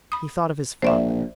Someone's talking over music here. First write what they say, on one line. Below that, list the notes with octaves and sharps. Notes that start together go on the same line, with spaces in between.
He thought of his father.
B5 D#6
A#1 C5 D5 E5